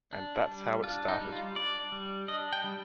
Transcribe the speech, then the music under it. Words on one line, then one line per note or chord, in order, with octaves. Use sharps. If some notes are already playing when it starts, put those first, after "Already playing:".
And that's how it started.
D4
G3
D4 F4
D#4
G3
F4
D4 D5
G3
D4 D#5
G5
G3